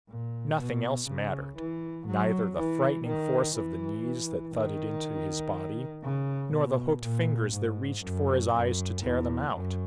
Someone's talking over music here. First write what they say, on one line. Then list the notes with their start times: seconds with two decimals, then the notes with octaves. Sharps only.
Nothing else mattered--neither the frightening force of the knees that thudded into his body nor the hooked fingers that reached for his eyes to tear them out.
0.09 A#2
0.58 B2
1.07 C#3
1.57 E3
2.07 F#3
2.57 E3
3.06 D#3
3.56 E3
4.55 D#3
6.04 C#3
6.53 B2
7.03 A#2
7.53 G#2
8.03 F#2
8.51 F#2
9.02 E2
9.52 F#2